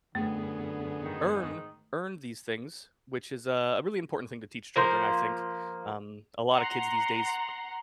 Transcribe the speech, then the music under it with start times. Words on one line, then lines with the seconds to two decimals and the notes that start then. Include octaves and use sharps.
earn earn these things," which is, uh, a really important thing to teach children, I think. Um, a lotta kids these days,
0.15 F#2 D3 A3 B3 G#4
1.04 G#2 D#3
4.76 F3 A#3 C5
6.55 F#5 A#5 C6